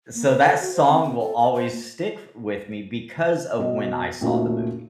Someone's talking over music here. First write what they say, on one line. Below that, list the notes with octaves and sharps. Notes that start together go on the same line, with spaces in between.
so that song will always stick with me because of when I saw the movie.
A#3
B4
A4
F#4
C5
C4
C4
A4
D5
C5
A#3
B2 D#5
A#2 C#3 A3 A#3 D#4 F#4